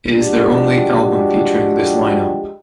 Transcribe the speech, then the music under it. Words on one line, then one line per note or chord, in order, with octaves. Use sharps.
It is their only album featuring this lineup.
F3 G#3 D4 F#4 G4